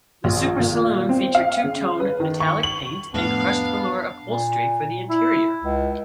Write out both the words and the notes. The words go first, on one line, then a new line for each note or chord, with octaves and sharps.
The Super Saloon featured two-tone metallic paint and crushed velour upholstery for the interior.
A#1
A#2
C4
F5
C#3
B4
D#3
C#6
F#7
F2 A2 B3 D4 F5
A#2
E4
C#2